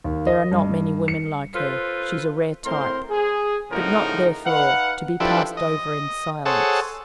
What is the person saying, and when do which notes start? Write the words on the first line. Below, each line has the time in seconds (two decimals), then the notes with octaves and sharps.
There are not many women like her; she is a rare type--but not, therefore, to be passed over in silence.
0.04 D#2
0.27 D#5
0.52 G2
1.08 C#7
1.54 F4 A4 B4 C5
2.65 A2 C4 A#4 C5 C6
3.10 G#4
3.71 A2 C#3 F3 D#4 F#4 A#4
4.45 D#4 B4 F5 F#5
5.20 F3 D4 E4 G4 A4 B4
5.57 D#5
6.46 G#4 A4 C5 C#5 F#5 A5